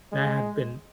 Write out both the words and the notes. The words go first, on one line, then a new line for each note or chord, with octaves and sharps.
that had been
G#3